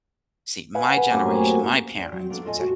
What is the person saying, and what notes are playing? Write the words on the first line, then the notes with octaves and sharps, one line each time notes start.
see, my generation, my parents would say,
B4 F5 F#5 G#5
B4
F#2 A2 C3 A#3
G#5
B3 C4 D5
F#3 C4
A#3 B3 D4 A4
A2 F4 A4 D#5 G#5 A5
A2 F#4